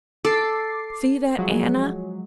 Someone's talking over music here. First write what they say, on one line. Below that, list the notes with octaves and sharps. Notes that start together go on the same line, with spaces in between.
'See that, Anna?
A4 D6 C7
F3 F#3 G#3